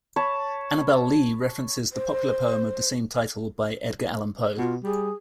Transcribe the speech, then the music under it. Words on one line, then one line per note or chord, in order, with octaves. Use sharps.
"Annabel Lee" references the popular poem of the same title by Edgar Allan Poe.
C#5 A5 B5
C5
B2 F4
G3 G#4